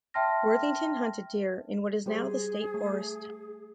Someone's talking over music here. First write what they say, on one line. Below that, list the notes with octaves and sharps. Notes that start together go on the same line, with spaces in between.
Worthington hunted deer in what is now the State Forest.
E5 G5 A5 C6 F6 A#6
G3 G4 G#4 C5
A3